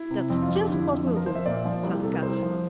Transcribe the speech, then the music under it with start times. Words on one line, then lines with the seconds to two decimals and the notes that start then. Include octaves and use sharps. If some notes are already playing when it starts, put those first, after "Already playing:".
"That's just what we'll do," said Kat.
Already playing: E4
0.10 C3
0.30 F2 C4
0.43 F4
0.49 F2
0.55 G4
0.68 D3 E4
0.81 F4
0.87 F2
1.07 F3
1.16 A#4
1.26 F3 C5
1.35 E5
1.46 A#2 D5
1.65 F3
1.83 C2
1.95 G4
2.03 C3 A4
2.13 A#4
2.22 C2 C5
2.42 F3